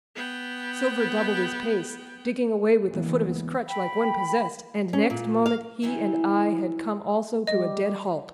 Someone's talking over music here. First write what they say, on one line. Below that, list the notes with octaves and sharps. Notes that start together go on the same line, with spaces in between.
Silver doubled his pace, digging away with the foot of his crutch like one possessed; and next moment he and I had come also to a dead halt.
B3 G5
D2 C#3 E3 G#3 A#3 B3
G5 B5
C#4
A#2
F5
D#3 E3 F#3 C#4 E4
G3 D#5